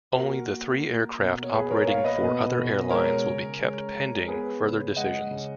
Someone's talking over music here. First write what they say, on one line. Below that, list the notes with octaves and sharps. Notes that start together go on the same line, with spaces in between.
Only the three aircraft operating for other airlines will be kept pending further decisions.
A#3 F#4 A#4
A#3
A#3
B2
C#5
B2 G#4 B4
A#4 C#5
A#3 C#5 F5
B4 D#5
B2
B2
G#3 A#4 C#5
C#3
G#3
G#3
B3 G#4 B4
C#3
G#3 D#5 F#5
C#3